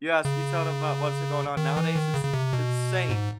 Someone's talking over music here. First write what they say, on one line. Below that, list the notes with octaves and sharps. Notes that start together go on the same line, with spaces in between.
You ask you tell them about what's going on, nowadays? It's it's it's insane.
C#3
D#3
E3
D#3
C#3
C#3
C3
B2
G#2